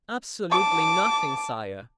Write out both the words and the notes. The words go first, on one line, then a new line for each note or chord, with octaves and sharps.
"Absolutely nothing, sire."
A5 D6